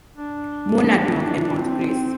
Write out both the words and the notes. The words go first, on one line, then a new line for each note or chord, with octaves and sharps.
Monadnock and Mount Grace.
D4
C4